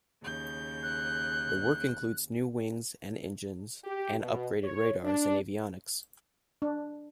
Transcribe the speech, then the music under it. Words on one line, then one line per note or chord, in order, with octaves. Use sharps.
The work includes new wings and engines and upgraded radars and avionics.
D#2 C#3 G6
F#6
G4
B2
C#5
D4
D4